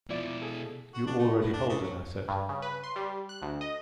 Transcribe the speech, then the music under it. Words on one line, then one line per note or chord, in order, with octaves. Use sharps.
You already hold an asset.
B2 F3 E4 D5
G#4 A4
F#4
D4
A3
B3
D4
C#3
F#3
G2
C#3
B4
C6
G3
F#6
D2
D#5